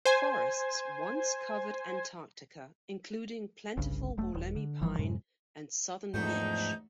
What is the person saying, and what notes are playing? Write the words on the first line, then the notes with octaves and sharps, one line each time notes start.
Forests once covered Antarctica, including plentiful Wollemi Pine and Southern Beech.
C5 G#5
G1 C2 G2 C#3
E1 A3
D#1
D3
G1 E3 F3 G3
F#2 A2 C3 G#3
E2 G#2 F3 A3 C4 D4 D#4 G6